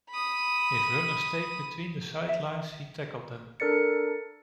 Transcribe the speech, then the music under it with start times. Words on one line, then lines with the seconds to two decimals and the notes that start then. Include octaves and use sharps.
If runners stayed between the sidelines, he tackled them.
0.10 B5 D#6
2.29 E5
3.60 D4 A4 A#4 D5 A6 C#7